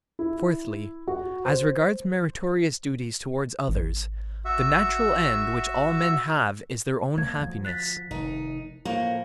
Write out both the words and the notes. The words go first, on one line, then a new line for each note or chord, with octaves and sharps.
Fourthly, as regards meritorious duties towards others: The natural end which all men have is their own happiness.
E4
F#4
C5
G#1
F#4 E5
A3 A#3 G#6
D2 F3
F#6 A6 B6
F1 D#3 D#4
A2 F3 A#3